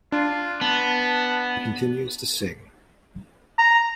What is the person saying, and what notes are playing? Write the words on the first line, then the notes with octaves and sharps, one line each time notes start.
He continues to sing.
D4 F4
B3 A5
A#5